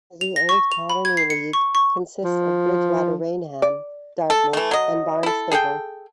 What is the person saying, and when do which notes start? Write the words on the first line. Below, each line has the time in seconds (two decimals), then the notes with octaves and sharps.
The Old Colony League consists of Bridgewater-Raynham, Dartmouth, and Barnstable.
0.21 F7
0.36 A#6
0.49 C#6
0.72 F7
0.90 B5
1.05 G#6
1.17 C7
1.30 C#7
1.53 C#6
1.75 C#6
2.24 F3
3.62 D5
4.30 A4
4.53 E3 A3
4.71 F#3 D#5
5.23 E4 A4
5.51 G#4 A4 F#5 G5